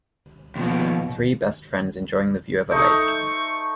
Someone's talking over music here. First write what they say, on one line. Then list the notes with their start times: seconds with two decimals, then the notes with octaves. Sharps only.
Three best friends enjoying the view of a lake.
0.56 D#2 B2 F3
2.71 A3 D#4 C5 C#6